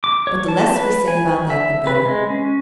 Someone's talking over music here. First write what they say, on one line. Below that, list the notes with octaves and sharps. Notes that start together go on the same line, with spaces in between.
But the less we say about that the better.
D6
C#5
A5
B4
G#5
E5
B4
G#3
C#4